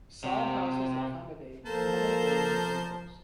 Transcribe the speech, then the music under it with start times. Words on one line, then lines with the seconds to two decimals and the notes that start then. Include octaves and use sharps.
Sod houses accommodate normal doors and windows.
0.24 C3
1.66 F3 A#3 A4 A#4 C5 A5